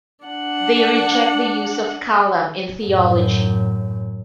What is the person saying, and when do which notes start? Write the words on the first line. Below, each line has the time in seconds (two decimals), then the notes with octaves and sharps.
They reject the use of kalam in theology.
0.25 D4 F#5
2.83 F#2 A2